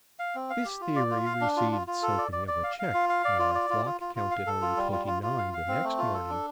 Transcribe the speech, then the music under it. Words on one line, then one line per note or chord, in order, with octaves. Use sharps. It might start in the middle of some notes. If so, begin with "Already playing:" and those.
This theory received something of a check when our flock counted only twenty-nine the next morning.
F5
C4
F5
G4
F4
D5
F4
F5
D4
F4
F4
F4
A4
D5
D5
D5
F5
F5
F4
F5
D5
F4
D5
F4
F4
F4
F4
F5
A4
F4
G3
F4
F4
F4
F5
F5
C4
A3
F4
A4
D4